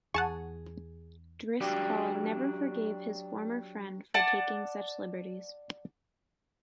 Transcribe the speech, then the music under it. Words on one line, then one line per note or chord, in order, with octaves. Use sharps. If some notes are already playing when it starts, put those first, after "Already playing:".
Driscoll never forgave his former friend for taking such liberties.
E2 G#4 F#5 A5 C#6
F#3 D4 G4
D5 F#5 A5